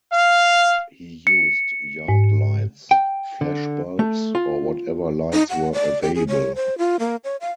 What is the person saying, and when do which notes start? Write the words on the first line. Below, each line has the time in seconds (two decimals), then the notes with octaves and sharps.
He used yard lights, flashbulbs or whatever lights were available.
0.12 F5
1.27 C#7
2.08 G#2
2.91 G5
3.41 D3
3.99 A3
4.35 F4
5.33 D#4
5.50 F#5
5.73 D5
6.02 G4
6.15 G#4
6.28 C#5
6.55 C5
6.78 F4
7.00 A#3
7.24 C#5
7.41 F5